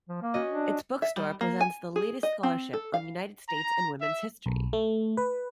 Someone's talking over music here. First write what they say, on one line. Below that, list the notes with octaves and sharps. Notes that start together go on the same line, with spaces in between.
Its bookstore presents the latest scholarship on United States and women's history.
F3
A#3
C#4 F#4 D#5
D4
E5
G3
A#3
G#5
G#4
D#5
C4
A4
F5
A#5
E5
B1
A3
B4